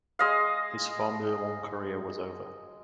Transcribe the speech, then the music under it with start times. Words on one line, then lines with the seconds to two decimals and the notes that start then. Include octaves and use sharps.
His Formula One career was over.
0.19 G#3 D#5 F5